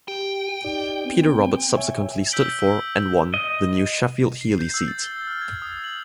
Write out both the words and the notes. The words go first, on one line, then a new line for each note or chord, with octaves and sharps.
Peter Roberts subsequently stood for, and won, the new Sheffield Heeley seat.
G4 G5
D#4 G4 D5
B3 C4
C#5 E5 G#5
E6 G6 B6 D7 F#7 G7
D#5
C7
G6
E6
A6
G7
F6
G#6
D#6
F#7